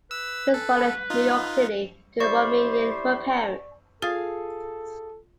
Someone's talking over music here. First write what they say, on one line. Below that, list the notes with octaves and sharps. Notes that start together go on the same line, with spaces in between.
He was born in New York City to Romanian parents.
B4 E6
A4
D#4 F4
E4 G4 C5 D5 C#6
F4 G#4 A4 F5 D#6 A6